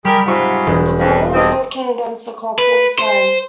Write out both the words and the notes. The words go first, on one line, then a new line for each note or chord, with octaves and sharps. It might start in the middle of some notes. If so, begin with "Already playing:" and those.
The player is working against the clock all the time.
G3 G4 G#4 A#4 B5
G#2 C3 F4 F#5 B5 C#6
E1 F#6
F2
G2 C4 D#5
B4
C5